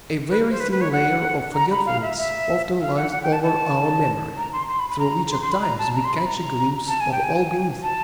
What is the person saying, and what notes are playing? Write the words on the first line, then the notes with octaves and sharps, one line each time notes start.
A very thin layer of forgetfulness often lies over our memory, through which at times we catch a glimpse of all beneath it.
B4
C5
B4
B4
C#5
F#5
A#5
B5
F5
E5
E5
F5
F#5
F#5
G5
A5
A5
A#5
C6
C6
B5
B5
A#5
C6
C6
B5
A#5
A5
A#5
C6
B5
A#5
A5
G#5
G5
G#5
A5